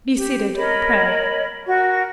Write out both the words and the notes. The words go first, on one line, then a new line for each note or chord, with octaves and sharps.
Be seated, pray.'
G4
A#4 C#5 D#5 B5
F#4 A#4 C#6